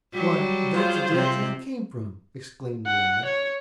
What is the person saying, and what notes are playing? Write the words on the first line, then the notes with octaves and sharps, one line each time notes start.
"Why, that's the direction I came from," exclaimed the lad.
F#3 G3
F4 G#4 C5
C3 C4
F#5
C#5